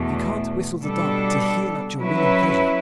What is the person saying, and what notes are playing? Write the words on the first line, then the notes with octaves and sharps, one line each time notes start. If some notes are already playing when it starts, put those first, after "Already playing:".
You can't whistle the dog to heel at your will and pleasure.
Already playing: E2 B2 A3
B2 G3 D4 A4
F#3 C#4 E4 B4